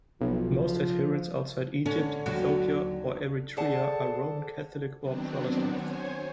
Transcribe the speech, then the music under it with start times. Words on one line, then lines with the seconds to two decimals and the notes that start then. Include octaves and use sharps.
Most adherents outside Egypt, Ethiopia and Eritrea are Roman Catholic or Protestant.
0.21 B1 F3
1.86 D3 C#4
2.26 D#2 F#3 F#4
3.57 G#4 A4 C5 D5 F#5 A5
5.00 D#3 F#3 B3 C4 D4
5.68 C5 C#5 G#5